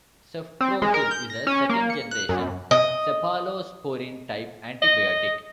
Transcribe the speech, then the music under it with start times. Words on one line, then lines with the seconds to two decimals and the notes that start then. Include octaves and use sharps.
Cefprozil is a second-generation cephalosporin type antibiotic.
0.61 C4
0.82 G#3
0.94 A#4
1.11 G6
1.30 A#6
1.47 C#4
1.69 A#3
1.90 C#7
2.11 F#6
2.29 F#2
2.71 D#5
4.82 D#5